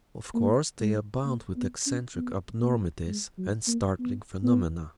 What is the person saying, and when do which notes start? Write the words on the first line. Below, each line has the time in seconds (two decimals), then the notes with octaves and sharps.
Of course, they abound with eccentric abnormities and startling phenomena.
0.35 A#3
0.80 G#3
1.25 A#3
1.56 B3
1.86 C#4
2.16 B3
2.62 A#3
3.07 G#3
3.38 F#3
3.68 A#3
3.99 B3
4.44 B3